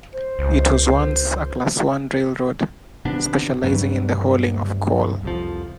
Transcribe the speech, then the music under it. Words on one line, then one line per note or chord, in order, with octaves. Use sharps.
It was once a Class One railroad, specializing in the hauling of coal.
C5
C#2
G#1 C3 B3 D4
D2 G2 F#3 B3
C2 F2 F3